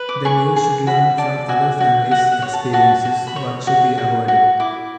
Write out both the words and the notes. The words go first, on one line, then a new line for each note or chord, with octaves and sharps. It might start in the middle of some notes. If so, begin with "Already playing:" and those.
Then you should learn from other families experiences what should be avoided...
Already playing: B4
D6
G#4 C#6
G#4
F#4 B5
D5 A5
F#4 G#5
F#4
F#4 F#5
F#5
C#5
A5
F#4 A5
F#4
B5
C#5 C#6
F#4
F#4
F#4
E4 D6